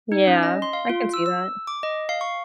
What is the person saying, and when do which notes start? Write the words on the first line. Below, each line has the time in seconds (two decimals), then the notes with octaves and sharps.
Yeah. I can see that.
0.12 D#4
0.27 C#4
0.43 D#5
0.62 C6
0.73 F5
0.90 F4
1.14 E6
1.26 E6
1.67 D6
1.83 D#5
2.09 F5
2.21 C#6